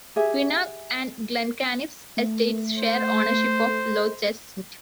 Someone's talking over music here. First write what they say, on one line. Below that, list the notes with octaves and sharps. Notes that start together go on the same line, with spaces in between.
Quinag and Glencanisp estates share ownership of Loch Assynt.
G4 G#4 E5
A3
C5